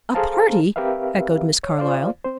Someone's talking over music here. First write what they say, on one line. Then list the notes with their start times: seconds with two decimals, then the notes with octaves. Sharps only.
"A party!" echoed Miss Carlyle.
0.14 G#4 A4 C5 F5 A5 A#5
0.76 C4 G4 A#4 B4 E5 F5
1.63 C#5
1.78 F4 C5 D5 F5
2.24 C4 C5